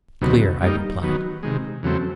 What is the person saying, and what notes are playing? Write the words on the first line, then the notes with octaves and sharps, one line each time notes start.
"Clear," I replied.
D2 C3 D#3 F#3 B3
G3 A#3 D#4
D#3 F#3 B3
C3 D#3 G#3
E2 C#3 F#3 A3 C4